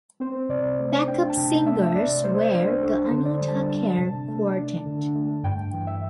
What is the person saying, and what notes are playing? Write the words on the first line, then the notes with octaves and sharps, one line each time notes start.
Backup singers were the Anita Kerr Quartet.
C4 C5
C3 D5
A3
D4 G5
A5
C3 G5
A3 E5
C3 D5
A3 C5
D4 C5
D4 A4
C5
D3
D5
G3
A5
D4 A5
A5
C3
A3
D4
D3
A3
G2 G5
E3
E5